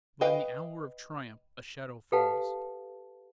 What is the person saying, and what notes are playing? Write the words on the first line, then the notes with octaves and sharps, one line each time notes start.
But in the hour of triumph a shadow falls.
B4 D#5 F5 G5
G4 A4 B4 F5 F#5 A5